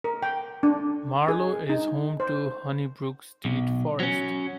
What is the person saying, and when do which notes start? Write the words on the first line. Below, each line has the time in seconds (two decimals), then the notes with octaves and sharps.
Marlow is home to Honey Brook State Forest.
0.04 A#4
0.23 G5
0.63 D4
1.28 G#4
1.69 D#4
2.20 C5
3.45 B1
4.00 F#3 C#4